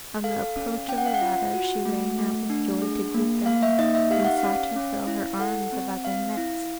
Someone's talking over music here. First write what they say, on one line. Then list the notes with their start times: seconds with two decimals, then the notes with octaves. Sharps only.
On the approach of the latter, she ran out with joy to greet them, and sought to throw her arms about their necks.
0.24 A4 F5
0.56 C#4
0.88 C#4 G5
0.98 F#5
1.06 F5
1.14 F#5
1.21 F4
1.54 F#4
1.85 A3
2.18 A3
2.50 D4
2.82 G#4
3.14 A#3
3.46 A#3 F5
3.63 E5
3.79 D#4 D#5
3.95 E5
4.11 G4 F5
4.25 F#5
4.38 F5
4.43 C#4
4.76 C#4
5.07 E4
5.39 A4 F#5
5.72 C4
6.05 C4 F5
6.37 E4